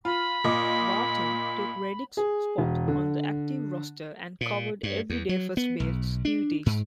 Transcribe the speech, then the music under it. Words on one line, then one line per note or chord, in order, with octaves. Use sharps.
Barton took Reddick's spot on the active roster and covered everyday first base duties.
F4 B5
A#2 D#5 D6
G#4
E1
D3
A#2
G2
E2
F#3
B3
B1
D4
G#2